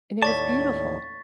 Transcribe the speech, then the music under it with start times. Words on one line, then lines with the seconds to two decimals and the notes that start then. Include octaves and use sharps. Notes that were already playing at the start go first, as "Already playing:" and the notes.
and it was beautiful,
0.22 D#2 A2 C#5 D5 A5 C#6 A6 B6